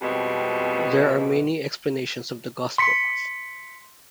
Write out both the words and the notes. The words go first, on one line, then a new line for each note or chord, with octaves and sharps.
There are many explanations of the gospel.
F2 B2 G3 G#3 C4
C6 B6 C#7